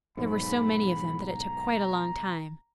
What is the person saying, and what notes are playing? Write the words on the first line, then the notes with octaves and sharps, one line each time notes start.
There were so many of them that it took quite a long time.
B1 G#2 B5
A#5